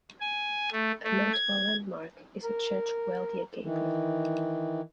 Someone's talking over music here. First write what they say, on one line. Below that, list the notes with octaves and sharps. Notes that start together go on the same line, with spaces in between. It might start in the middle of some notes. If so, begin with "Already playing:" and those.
A notable landmark is a church Weldiya Gebri'el.
G#5
A3
A3
G#6
A#4
D#3 E3